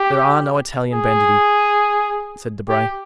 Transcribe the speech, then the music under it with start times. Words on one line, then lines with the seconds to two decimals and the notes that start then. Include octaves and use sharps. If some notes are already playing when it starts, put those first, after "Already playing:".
"There are no Italian banditti," said Debray.
Already playing: G4
0.93 G#4
2.69 G4